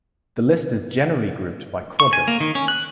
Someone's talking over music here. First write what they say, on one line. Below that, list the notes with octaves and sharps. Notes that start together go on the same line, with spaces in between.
The list is generally grouped by quadrant.
C#6
G#5
A#3
D#3
C#4
F#6